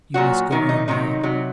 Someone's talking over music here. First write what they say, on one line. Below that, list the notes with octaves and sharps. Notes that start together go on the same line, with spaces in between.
"You must go in now!"
A#2 F#3 F#4
C3 D#3 F#3
D#4
C3 D#3 F#3 D#4
C3 F#3